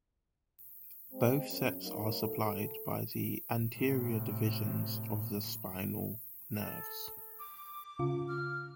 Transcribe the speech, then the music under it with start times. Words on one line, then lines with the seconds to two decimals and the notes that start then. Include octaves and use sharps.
Both sets are supplied by the anterior divisions of the spinal nerves.
1.12 G#3 C4
1.47 F#2
1.83 F#3 A3 A#3 D#4
2.24 A4
3.73 A2 C3
6.57 A4
7.39 D6
7.99 C#3 F4
8.28 F6